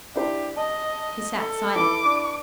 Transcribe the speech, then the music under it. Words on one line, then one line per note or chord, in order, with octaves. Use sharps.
He sat silent.
D4 E4 G4 C5
D#5 A5
A4
E4 B4 B5 D6
D4